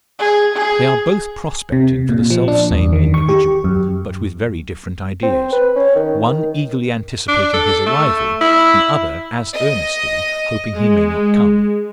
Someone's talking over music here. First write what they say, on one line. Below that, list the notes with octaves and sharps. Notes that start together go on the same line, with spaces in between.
They are both "prospecting" for the selfsame individual, but with very different ideas--one eagerly anticipating his arrival, the other as earnestly hoping he may not come.
G#4
G#4
C3
A#2
F3
D4
E2
D#3
C#6
G4
F#2
C4
B4
C#4
D#3
D#3
D4
A4
A3
E4
D#5
G#3